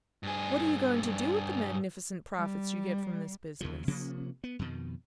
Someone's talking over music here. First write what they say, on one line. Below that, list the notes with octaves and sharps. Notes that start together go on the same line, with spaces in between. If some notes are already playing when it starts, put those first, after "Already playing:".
"What are you going to do with the magnificent profits you get from this business?"
G2 G#4
G3
D#2 C#3 F3
C3 F3 A#3 C#4
B3
F2 B2 D#3